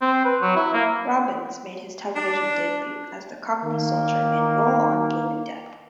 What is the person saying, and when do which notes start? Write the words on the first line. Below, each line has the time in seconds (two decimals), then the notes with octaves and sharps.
Robbins made his television debut as the cockney soldier in "Roll-on Bloomin' Death".
0.02 C4
0.25 B4
0.41 F#3
0.56 E4
0.74 A#3
2.16 D4
3.63 D#3 A#3